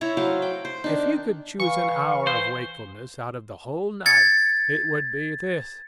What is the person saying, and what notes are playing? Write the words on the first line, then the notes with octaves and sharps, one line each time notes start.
If you could choose an hour of wakefulness out of the whole night, it would be this.
E4 C#5 E5 A#5
F#3 C5 F5
G5
C5
D#3 D4 D#4
E3 F5 C#6
C5
G#6 A6 C#7